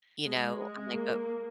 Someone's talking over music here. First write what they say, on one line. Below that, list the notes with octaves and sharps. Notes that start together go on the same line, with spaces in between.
you know? I'm like, uh,
G#3
G#3
A#3